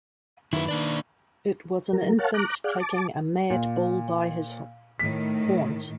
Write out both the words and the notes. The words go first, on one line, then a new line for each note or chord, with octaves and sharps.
It was an infant taking a mad bull by his horns.
F#2 D#3 E4 B4
A#3 D4 D5
F#3 A#4
A#4 C#5 F5 F#5 A5
A#5 D6 F#6
G#4 D5 F5 F#5
A5 D6
A#2
A2 D#3 B6